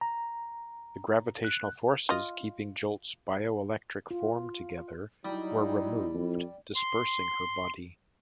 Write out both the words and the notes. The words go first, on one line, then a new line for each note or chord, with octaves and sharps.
The gravitational forces keeping Jolt's bioelectric form together were removed, dispersing her body.
A#5
F#6
F4 D#5
F4
F#3 G3 D#4 E4
F2
C6